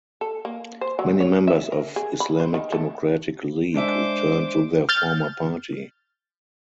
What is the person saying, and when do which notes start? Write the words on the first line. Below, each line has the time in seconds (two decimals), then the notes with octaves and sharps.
Many members of Islamic Democratic League returned to their former party.
0.21 A4
0.45 A#3
0.81 C5
0.99 F#3
1.20 C#5
1.47 E5
1.72 A#4
1.96 G#4
2.20 B5
2.40 C5
2.54 D#3
2.72 A3
3.74 G#3 D4 C5 E5 D6
4.89 F6 G6 A6